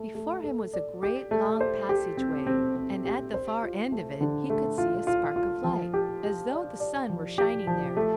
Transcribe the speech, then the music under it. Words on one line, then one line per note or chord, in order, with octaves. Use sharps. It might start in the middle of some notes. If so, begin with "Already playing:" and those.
Before him was a great long passageway, and at the far end of it he could see a spark of light as though the sun were shining there.
Already playing: A3
A3
A4
D5
G4
A3
C5
G4
C4
C4
C4
G4
C5
F4
A3
D3
A3
F4
F4
F4
F3
G4
G4
D5
D5
F3
G4
F3
A3